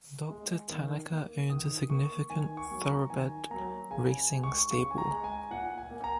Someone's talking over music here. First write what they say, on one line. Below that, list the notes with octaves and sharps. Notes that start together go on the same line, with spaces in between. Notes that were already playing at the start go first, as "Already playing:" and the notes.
Doctor Tanaka owns a significant thoroughbred racing stable.
G#3
D#3
A#3
D#3 D#6
A#3 C#6
D#3 G#5
C#6
F#3 A#3
A#5
D#3 G#5
F#3 A#3 A#5
C#3 G#5
G#3
C#6
C#3 C#6
G#5
A#5
G#3
G#5
A#2 F#5
G#5
A#3
A#5